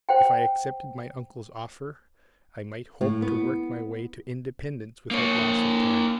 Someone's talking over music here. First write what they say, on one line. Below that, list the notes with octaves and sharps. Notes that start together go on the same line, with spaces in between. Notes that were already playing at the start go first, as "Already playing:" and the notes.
If I accepted my uncle's offer, I might hope to work my way to independence without loss of time.
C5 F#5 G5
A2
B3
A#3 C#5